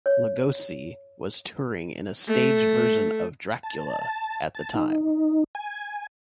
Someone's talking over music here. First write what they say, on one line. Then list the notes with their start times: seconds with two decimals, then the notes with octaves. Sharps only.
Lugosi was touring in a stage version of "Dracula" at the time.
0.06 C#5
2.27 A3
3.63 A5
4.55 A5
4.75 D#4
5.55 G#5